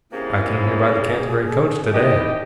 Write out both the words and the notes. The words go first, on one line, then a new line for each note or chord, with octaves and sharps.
'I came here by the Canterbury coach, today.
G#2 C3 A#3 C#4 E4 G#4
A2 D#3 E3 G4 D#5